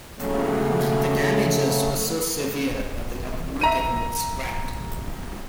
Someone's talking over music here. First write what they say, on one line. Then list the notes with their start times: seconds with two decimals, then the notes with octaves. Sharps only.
The damages were so severe that the locomotive was scrapped.
0.19 C#3 F#3 A3
3.61 E5 A#5 D#7